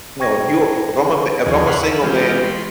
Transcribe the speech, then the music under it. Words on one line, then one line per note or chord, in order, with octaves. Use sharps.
You know, if you if I'm a m if I'm a single man,
C5 G5 C#6 G#6 A#6
D#2 C#3 F3 G#4
C#5 F5 F#5 G#5 B5 C6
B5 E6
E3 G#3 C#4 F4 G4
B5 C6